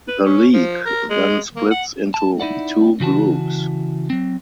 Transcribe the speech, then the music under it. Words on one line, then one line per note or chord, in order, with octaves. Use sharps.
The league then splits into two groups.
B4
C#4
F3
A#4
G#3
A#3
F#5
A5
D#4 E4 D5 F#5
C#3 E3 F#4 A5
F#3 C4